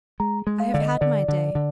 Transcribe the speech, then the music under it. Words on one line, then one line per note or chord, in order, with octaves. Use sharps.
I have had my day.
G#3 A#5
G#3
F5
D3 D5
D#5
D3 D5
D3
D3